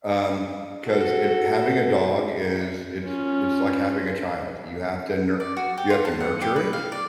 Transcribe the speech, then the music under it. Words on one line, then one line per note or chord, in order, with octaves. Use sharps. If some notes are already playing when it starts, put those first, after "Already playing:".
um, 'cause it having a dog is it's it's like having a child: you have to nur you have to nurture it,
F#4 A4
C#4 F4
D5
F#4
G4
F4
A5
F#5
G4
B4
F5
D5